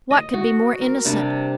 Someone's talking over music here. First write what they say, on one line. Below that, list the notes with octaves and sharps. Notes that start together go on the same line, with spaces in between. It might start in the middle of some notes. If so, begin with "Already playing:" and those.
What could be more innocent?
D#5
F#4
A#4
C3 G3 C4 D4